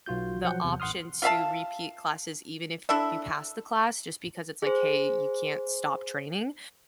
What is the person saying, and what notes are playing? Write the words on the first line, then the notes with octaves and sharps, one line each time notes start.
the option to repeat classes even if you pass the class just because it's, like, hey, you can't stop training.
B1 F4 F#4 G6
F3 F#3 F#5 G6
E2 C3
A1 F#5 C6 D#6 F6
F4 E5 F5 A5
D4 E4 A4 E5
G#4 C5